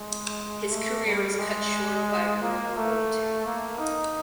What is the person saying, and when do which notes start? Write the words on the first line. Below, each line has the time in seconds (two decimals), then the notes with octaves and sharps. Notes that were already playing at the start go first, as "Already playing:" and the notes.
His career was cut short by World War Two.
Already playing: G#3
0.72 A3
1.06 G3
1.39 G#3
2.42 A#3
2.77 A3
3.45 A#3
3.79 D#4